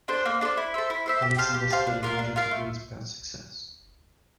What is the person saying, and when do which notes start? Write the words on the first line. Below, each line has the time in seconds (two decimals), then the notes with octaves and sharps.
Police investigated hundreds of leads without success.
0.08 D4 A4 C5
0.25 A#3
0.41 D4 A4 C5
0.57 E4
0.74 A4 C5 E5
0.90 E4
1.06 A4 C5 E5
1.22 G4
1.38 C5 F5 A5
1.54 G4
1.70 C5 F5 A5
1.87 D4
2.03 F4 A#4 F5
2.19 D4
2.36 F4 A#4 F5
2.51 A3